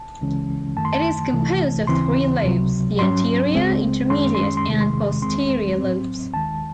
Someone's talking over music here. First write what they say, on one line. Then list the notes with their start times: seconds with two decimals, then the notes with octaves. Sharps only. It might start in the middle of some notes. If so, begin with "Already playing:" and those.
It is composed of three lobes: the anterior, intermediate, and posterior lobes.
Already playing: A5
0.21 C#2 C#3 E3 G#3 C#4
0.77 F#2 D#3 A3 A5
0.85 C6
0.93 A5
1.32 C2 C3 E3 A3
1.87 D#2 C#3 E3 C4 C6
2.44 C#2 C3 F#3
2.99 G#2 F#3 C#4 C6
3.55 C#2 C#3 G#3 C4
4.10 F#2 D#3 G#3 C#4 C6
4.35 C6
4.57 C6
4.66 E2 C3 D#3 G#3
4.81 C6
5.22 E2 D#3 G#3 C4 C6
5.79 A2 F#3 C4
6.33 D#2 D#3 G#3 A5